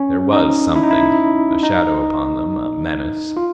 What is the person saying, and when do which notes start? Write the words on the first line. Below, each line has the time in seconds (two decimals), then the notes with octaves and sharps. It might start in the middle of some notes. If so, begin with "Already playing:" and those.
There WAS something--a shadow upon them, a menace.
Already playing: C#4
0.33 D#4
0.76 E4
0.83 D#4
0.91 E4
1.63 D#4
3.37 F4